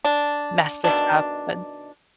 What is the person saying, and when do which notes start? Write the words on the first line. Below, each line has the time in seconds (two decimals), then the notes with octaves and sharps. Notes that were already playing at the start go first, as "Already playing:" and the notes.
mess this up, and
0.04 D4
0.84 B2 D#3 A3 D4